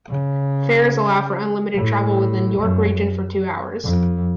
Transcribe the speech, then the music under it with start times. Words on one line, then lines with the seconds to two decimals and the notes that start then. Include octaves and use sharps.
Fares allow for unlimited travel within York region for two hours.
0.09 C#3
1.75 A2
2.58 F#2
3.83 F2